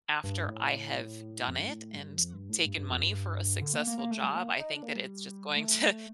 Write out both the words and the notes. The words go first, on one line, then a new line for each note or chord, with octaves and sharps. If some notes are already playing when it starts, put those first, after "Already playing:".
after I have done it and t taken money for a successful job, I think that it's just going to
G2
A2
F2
G2
A2
G2
F2
G2
A2
G2
G2
F2
G2
D3
A#3
A#3
A#3
A3
G3
A#3
D#4
D4
A#3
G3
A3